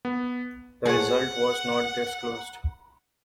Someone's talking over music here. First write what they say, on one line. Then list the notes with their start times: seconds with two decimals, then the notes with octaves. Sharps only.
The result was not disclosed.
0.05 B3
0.85 G#4 C#5 F#5